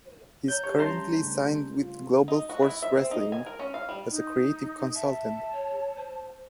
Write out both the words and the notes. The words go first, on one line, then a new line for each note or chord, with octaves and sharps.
He is currently signed with Global Force Wrestling, as a creative consultant.
C#5 A#5 G6
G4 C#5 A5
G3 C#4 E5 A5 A#5 C6
C#3 A3 D4
F4
D#4
F#4
E4
E5
C4
D#4
G#5
A#4
C#4
F5
G3
D#4
E5 A5
C#5
C5